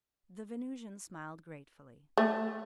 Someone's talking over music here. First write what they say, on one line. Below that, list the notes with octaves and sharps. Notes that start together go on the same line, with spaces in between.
The Venusian smiled gratefully.
A3